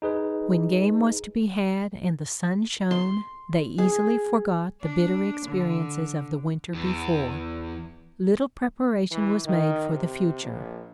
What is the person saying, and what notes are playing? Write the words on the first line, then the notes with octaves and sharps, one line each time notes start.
When game was to be had and the sun shone, they easily forgot the bitter experiences of the winter before. Little preparation was made for the future.
D#4 G#4 B4
C6
G#4
D4
D3
E2
E3
D#3
C3
A#1